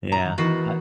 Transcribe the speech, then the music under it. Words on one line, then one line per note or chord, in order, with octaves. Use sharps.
Yeah I
A#2 A#5
G2 D#3
D#3 E3 B3 F#4 A#4